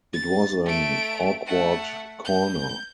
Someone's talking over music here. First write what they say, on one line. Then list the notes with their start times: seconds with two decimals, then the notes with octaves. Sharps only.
It was an awkward corner.
0.13 A6
0.66 A3 D7
1.46 A3 F#5
2.25 G6